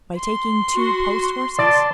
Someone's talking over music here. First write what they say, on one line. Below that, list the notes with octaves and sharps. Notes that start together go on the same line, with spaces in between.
"By taking two post-horses?"
C6
F#4
D5 A5